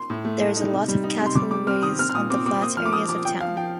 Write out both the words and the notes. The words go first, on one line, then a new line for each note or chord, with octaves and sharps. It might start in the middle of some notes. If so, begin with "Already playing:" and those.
There is a lot of cattle raised on the flat areas of town.
Already playing: C6
A2
A3
A2
D#4
C3
G3
D#4
C3
C6
G3 D6
G3 D6
C4 F6
D#3 D#6
C4 F6
F6
A#2 D#6
C4 D6
C4 D6
A#3 D#6
F3 F6
D6
F3 D#6
F3 D6
F3 G5
F3 F5
F3 G5